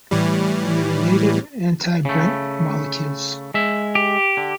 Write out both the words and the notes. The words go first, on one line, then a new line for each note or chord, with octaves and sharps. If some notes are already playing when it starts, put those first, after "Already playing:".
In the related anti-Bredt molecules.
A2 E3 G3
C#3 A3
G#3 E5
G4
D3